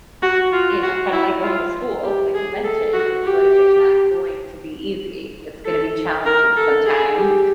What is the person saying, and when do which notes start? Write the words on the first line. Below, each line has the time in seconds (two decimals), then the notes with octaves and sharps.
you know, kinda, like, going to school, like you mentioned, it's like, it's not going to be easy. It's gonna be challenging sometimes.
0.22 F#4
0.52 F4
0.82 F#4
1.12 E4
1.43 F4
2.03 G4
2.34 G#4
2.64 A4
2.93 F#4
3.24 G4
5.65 A4
6.26 A#4
6.56 A4
6.86 G#4
7.16 G4